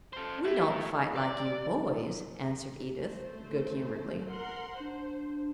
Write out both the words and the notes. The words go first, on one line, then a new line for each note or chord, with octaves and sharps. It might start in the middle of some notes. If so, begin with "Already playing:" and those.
"We don't fight like you boys," answered Edith, good-humoredly.
A4 C5
A3 E4
D5
A3 C5
A#4 F#5 C6
D4 C5